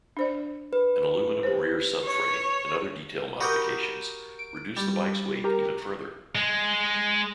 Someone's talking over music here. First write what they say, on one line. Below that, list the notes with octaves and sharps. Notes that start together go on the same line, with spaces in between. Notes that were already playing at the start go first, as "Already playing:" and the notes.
An aluminum rear subframe and other detail modifications reduced the bike's weight even further.
D4 C5 D5
B4
G4 C5
C#5
F#4 G4 A#4 B5 D#6 G6
D7
G3
G4 A#4 A#5
G#3